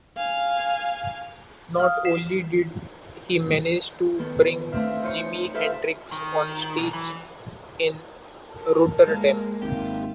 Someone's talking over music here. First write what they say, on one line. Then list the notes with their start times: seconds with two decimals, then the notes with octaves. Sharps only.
Not only did he manage to bring Jimi Hendrix on stage in Rotterdam.
0.17 F5 G#5
1.78 F5 D#6 F6
2.05 B6 C7 E7
4.18 D#3 B3 A4
4.72 A3 C4 D4 E5 F5
5.02 D#4 F4 C5 C#5
5.54 G4 A4 B4 C5 E5 F5
6.12 D#3
6.77 B1
6.93 E3
8.51 A4 A#4
9.07 G#3 A#3
9.62 G#1 F4 G4 E5